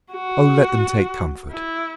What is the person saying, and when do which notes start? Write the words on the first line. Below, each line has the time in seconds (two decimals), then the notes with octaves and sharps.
Oh let them take comfort!
0.13 F#4
1.51 E4